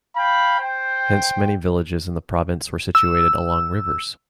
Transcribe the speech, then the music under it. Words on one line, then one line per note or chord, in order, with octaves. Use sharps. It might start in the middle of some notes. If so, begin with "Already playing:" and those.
Hence many villages in the province were situated along rivers.
F5 G5 B5
C5 G5
E6